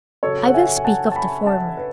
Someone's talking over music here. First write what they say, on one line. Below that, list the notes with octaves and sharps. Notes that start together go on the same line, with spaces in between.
I will speak of the former.
C#3 F#3 A4 C#5
F#5
E5 G#5
G#5
F#5 A5
A5
G#5 B5
F#5 A5
B4